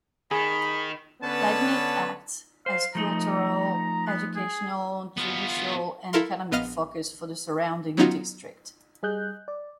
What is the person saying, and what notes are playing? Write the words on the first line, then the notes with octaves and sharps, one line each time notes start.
Leibnitz acts as a cultural, educational, judicial and economic focus for the surrounding district.
D#3 G#4 B5
D3 B3 C#4 B4 C#5 A5
C5 F5
F3 A3 D#4 A#5
B3
G#4
B3 F4
E4 A4 A#4 F5 C6
A#1 B3 D#5 F5 F6 D#7
F#3 B3 C#4 D#4 F4 F#4
G3 G#4 D#5 F#6 G6
D5